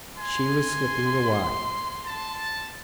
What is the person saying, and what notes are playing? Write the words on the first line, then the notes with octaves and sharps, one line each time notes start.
She was slipping away.
G#5 C6
A5